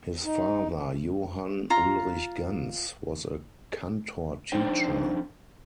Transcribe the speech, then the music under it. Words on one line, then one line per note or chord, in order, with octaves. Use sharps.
His father, Johann Ulrich Ganz, was a cantor teacher.
D#4
F4 A#5
F2 D4 D#4 C5 G5